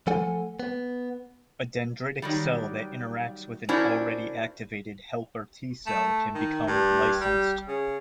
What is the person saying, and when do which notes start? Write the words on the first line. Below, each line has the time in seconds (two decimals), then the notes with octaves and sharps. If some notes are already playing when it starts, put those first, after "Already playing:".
A dendritic cell that interacts with an already-activated helper T cell can become licensed.
0.07 F3 A3 A4 F#5 G#5
0.60 B3
2.22 D#3 F#3 G3
3.69 C#4 D4 E4 F#4 A#4 C5
5.87 A3
6.35 D#3
6.67 G2
7.21 G3
7.68 C#3